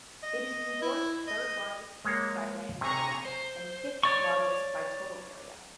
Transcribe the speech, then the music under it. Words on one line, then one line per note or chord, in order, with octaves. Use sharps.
It is New York's third-largest county by land area and fifth-largest by total area.
D#5
E4
D#5
G#3 A#3 C#5
C3 G#4 A#5 C#6
C5
C#5 D5 C#6